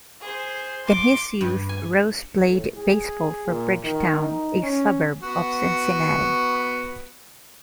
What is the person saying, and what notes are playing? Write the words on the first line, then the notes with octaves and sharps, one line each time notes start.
In his youth, Rose played baseball for Bridgetown, a suburb of Cincinnati.
G#4 C5
C6 D6
G2
G#5
A2
G#4
A#2
D#3
D#4
C#4
B3 F#4